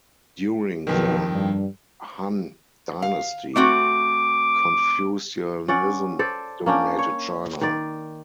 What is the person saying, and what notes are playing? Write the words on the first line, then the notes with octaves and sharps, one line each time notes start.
During the Han dynasty Confucianism dominated China.
B1 F2 B2 D#3
G2
F5
A3 C4 F#4 D6
C#4 D5 F#5
A4 C5 D5
A#3 C#4 D4 G5
C#5
D#3 D5